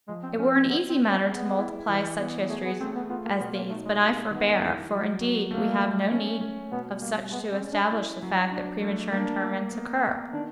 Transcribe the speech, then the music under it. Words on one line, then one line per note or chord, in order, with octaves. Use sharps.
It were an easy matter to multiply such histories as these--but I forbear--for, indeed, we have no need of such to establish the fact that premature interments occur.
F3 G#3
C4
F3 C#4
C4
B3 B4
C4
B4
C#4
B3 G#4
E4
E3
B3
A3 G#4
B3
A3 C4
B3
B3 F4
A#3
B2 B3
A#3
A3 D#4
G#3
G#3 G4
A#3
D#3 B3
E4
F#3
F#3
A3 A#3
A3
C#4
C#4
B2 B3
G3 A#3
G#3 B3
C4
C#4
D4
E4
F#3
D4
A3
A#3 D4
A#3
B3
B3
D#3 D4